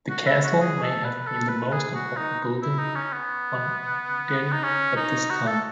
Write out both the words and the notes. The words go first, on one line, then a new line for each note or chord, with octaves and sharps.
The castle may have been the most important building on Eday at this time.
F#4
E4
F#4
G#4
A4
B4
A4
B4
G#4
F#4
D#4
E4
D#4
C#4
B3
D#4
C#4
D#4
F#4
A4